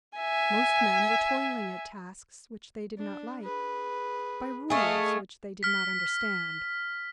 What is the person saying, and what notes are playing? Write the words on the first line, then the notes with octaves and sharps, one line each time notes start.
Most men were toiling at tasks which they did not like, by rules which they did not understand.
E5 G#5
D4
G#4 B4
A3 G#4 D#5 F5
F6 B6